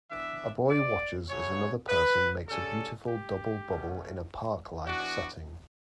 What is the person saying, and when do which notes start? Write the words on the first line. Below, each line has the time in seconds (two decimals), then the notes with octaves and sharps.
A boy watches as another person makes a beautiful double bubble in a parklike setting.
0.10 E3 B3 D4 E5
0.70 D5
1.29 C#3 F#3 A3 C#4 C#5
1.89 B4
2.48 C#3 G3 C#4 A4
3.08 G4
3.68 B2 A3 C#4
4.87 E3 B3 D4 F#4